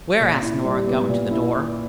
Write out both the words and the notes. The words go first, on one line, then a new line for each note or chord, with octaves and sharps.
"Where?" asked Nora, going to the door.
A#2
E4
G3
B3
A#2
E4